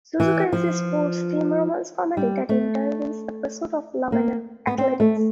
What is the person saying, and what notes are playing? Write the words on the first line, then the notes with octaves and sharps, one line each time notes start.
"Suzuka" is a sports-themed romance comedy that intertwines the pursuit of love and athletics.
E3
F3
G3
A3
A#3
B3
C4
A3